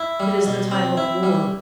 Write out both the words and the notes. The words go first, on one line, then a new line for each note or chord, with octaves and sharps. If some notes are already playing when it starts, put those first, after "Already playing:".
It is the time of war.
Already playing: E4
G3
B2
C4
E4
G3